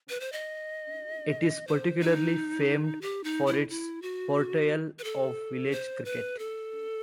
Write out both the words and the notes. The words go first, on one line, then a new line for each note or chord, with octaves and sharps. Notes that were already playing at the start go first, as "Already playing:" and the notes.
It is particularly famed for its portrayal of village cricket.
B4
C5
D#5
C5
D#4
G4
D#4
E4
E4
F#4
B4
A4
C5
B4
A4